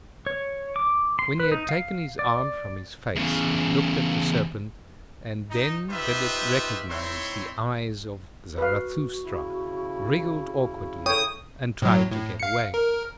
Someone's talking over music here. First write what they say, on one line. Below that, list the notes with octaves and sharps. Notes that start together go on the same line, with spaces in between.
When he had taken his arm from his face he looked at the serpent; and then did it recognise the eyes of Zarathustra, wriggled awkwardly, and tried to get away.
C#5
D6
C6
B4
D#4
F5
D5
E2 C#3
D#4
D#4 F4 G4 B4 C5 E5
C4 D#4 E4 C#5 E5 C6
F#4 B4 F5
C#3 E4
A4 C#5 G5 D#6
A2 F#3
A2
F5 C#7
A#4